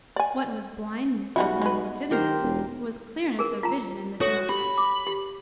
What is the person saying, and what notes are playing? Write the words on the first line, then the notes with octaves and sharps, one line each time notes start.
What was blindness in the legitimists was clearness of vision in the democrats.
D5 G#5
B1 G3 G#3 E4 F#4
G#3 B4
D#3 G4 A#4 C5
E1
G#4 A#4
F4 A#5
F#4 A4 C#5
G4 B5
D6
G4